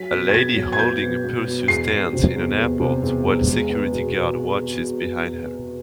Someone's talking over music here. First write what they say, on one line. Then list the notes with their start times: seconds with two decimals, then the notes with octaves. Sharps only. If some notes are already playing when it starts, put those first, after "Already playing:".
A lady holding a purse stands in an airport while a security guard watches behind her.
Already playing: F#3 B6
0.11 B2
0.29 G#6
0.34 B2 A6
0.56 F#3
0.72 G#6
0.79 B3 G6
1.01 B2
1.24 B2
1.45 B2
1.68 E2 C7
1.91 E2
2.13 C3
2.35 E2
2.58 E2
2.80 C3
3.02 E2
3.25 E2
3.47 G#3
3.69 B3
3.92 B2
4.14 B2